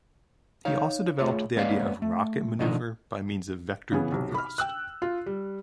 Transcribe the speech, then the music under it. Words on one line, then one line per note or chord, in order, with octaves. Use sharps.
He also developed the idea of rocket maneuver by means of vectored thrust.
D#4 C#5 F5
A3 F4 G#4 C#5
G#3 A#3 B3 C#4 D5 F5
A3
B2 D#3 F3 A3 D4 D#4
C#3 E3 B3 G#4
B1 C3
B5 F6
G5 E6 F#6
F4
G3